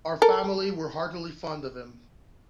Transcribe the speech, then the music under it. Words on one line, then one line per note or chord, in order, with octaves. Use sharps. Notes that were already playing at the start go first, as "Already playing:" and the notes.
Our family were heartily fond of him.
A4 A#4